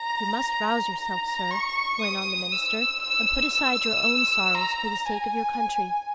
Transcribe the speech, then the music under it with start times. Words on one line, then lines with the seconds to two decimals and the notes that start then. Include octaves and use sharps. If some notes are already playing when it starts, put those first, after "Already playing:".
'You must rouse yourself, sir,' went on the minister, 'and put aside your own sorrows for the sake of your country.'
Already playing: A#5
1.00 A#5
1.51 C#6
2.02 D#6
2.52 E6
3.02 E6
3.53 E6
4.55 A#5
5.06 G#5